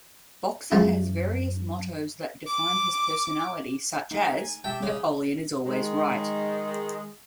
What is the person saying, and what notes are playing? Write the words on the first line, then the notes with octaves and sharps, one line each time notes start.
Boxer has various mottoes that define his personality, such as: Napoleon is always right.
F#2 F3 G#3 A3
D6
A3 D#4
G#5
G4 E5 G5 A5
C#3 G#4
D#3 G#3